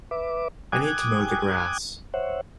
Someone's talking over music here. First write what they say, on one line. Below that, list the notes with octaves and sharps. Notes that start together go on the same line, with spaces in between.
I need to mow the grass.
B4 E5 D6
G5 G#5 D6 D#6 F#6 G#6
C5 C#5 E5 F#5